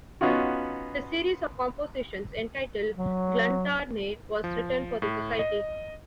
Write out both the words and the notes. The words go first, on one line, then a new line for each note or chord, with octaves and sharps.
His series of compositions entitled "Gluntarne" was written for the society.
B3 C#4 D#4 F4 F#4
F#3
F3
A2
D#5